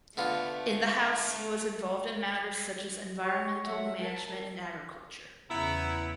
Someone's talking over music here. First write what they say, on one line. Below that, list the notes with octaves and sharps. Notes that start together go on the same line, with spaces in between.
In the House he was involved in matters such as environmental management and agriculture.
D3 A3 B3 F4
G4 C#5
F#3 E5 F#5
A#4 A5
E2 C#3 B3 E4 A#5